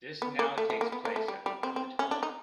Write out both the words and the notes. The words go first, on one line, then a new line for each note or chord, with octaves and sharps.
This now takes place at the village hall.
B3
A#3
A3
A3
A#3
B3
A#3
A3
G3
G3
C4
C4
C#4
D4
D#4